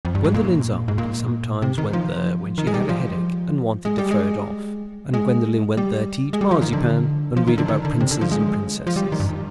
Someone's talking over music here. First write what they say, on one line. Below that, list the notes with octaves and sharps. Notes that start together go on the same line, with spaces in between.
Gwendolen's aunt sometimes went there when she had a headache and wanted to throw it off; and Gwendolen went there to eat marzipan and read about Princes and Princesses.
F2
G2
G#2
A#2
G#2
A#2
C3
D#3
F3
D#3
G#3
G3
F3
G#3
G3
G#3
G#3
G3
G#3
G3
F3
D#3
D3
F3
D#3
D3
D#3
D3
C3
D3
F3
G#3
F3
G3
D#3
G2